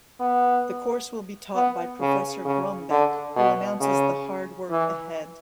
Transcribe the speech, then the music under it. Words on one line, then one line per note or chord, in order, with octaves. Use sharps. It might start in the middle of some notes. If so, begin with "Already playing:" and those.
The course will be taught by Professor Grombek, who announces the hard work ahead.
B3
B3
C#3
C#3
D3
B2
C#3
E3